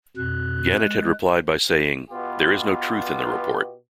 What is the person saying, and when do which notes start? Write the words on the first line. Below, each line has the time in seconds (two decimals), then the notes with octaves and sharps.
Gannett had replied by saying: There is no truth in the report.
0.17 F2 B2 F#6
0.82 G#3
2.10 B2 B3 F4 G4